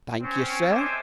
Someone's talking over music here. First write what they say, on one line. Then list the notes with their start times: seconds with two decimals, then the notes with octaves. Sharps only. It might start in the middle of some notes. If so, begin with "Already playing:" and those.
"Thank you, sir."
0.22 C4 C#4
0.71 G#3 A4 C5 E5 G#5 D6